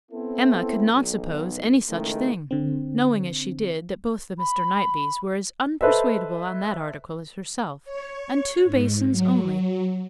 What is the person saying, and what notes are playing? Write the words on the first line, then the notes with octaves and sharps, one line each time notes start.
Emma could not suppose any such thing, knowing as she did that both the Mr. Knightleys were as unpersuadable on that article as herself, and two basins only were ordered.
B3 C4 E4 A4
B1
C#2 A2 D#3 G#3 A3
D3 C4
B5
A4 B4 C5 D#5 E5
C#5
G#2
F#3